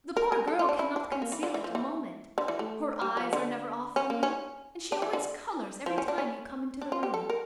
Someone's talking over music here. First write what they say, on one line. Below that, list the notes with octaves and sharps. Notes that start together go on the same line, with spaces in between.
The poor girl cannot conceal it a moment; her eyes are never off from you, and she always colours every time you come into the room.
A#4
A#4
A4
F4
D4
E4
D4
C#4
A#3
E3
D3
E3
F3
E3
D3
E3
A3
G3
F3
D3
C#4
A#3
C#4
D4
E3
D3
F3
C#4
D4
C#4
D4
F4
G4
A4
A#4